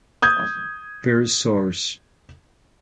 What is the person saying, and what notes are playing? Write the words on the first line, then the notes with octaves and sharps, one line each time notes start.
Per source.
D#6 G6 G#6